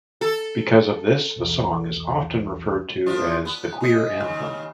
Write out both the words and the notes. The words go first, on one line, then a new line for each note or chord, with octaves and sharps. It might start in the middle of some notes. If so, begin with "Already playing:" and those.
Because of this, the song is often referred to as the Queer Anthem.
A4
B1 E2 E3
F3 D4 F4
B3
G#3 D#5
D#2 C#3